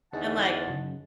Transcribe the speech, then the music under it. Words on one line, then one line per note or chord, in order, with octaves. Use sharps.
And like
E2 D3 D#4 G#4 F#5 A5
F#2 C#3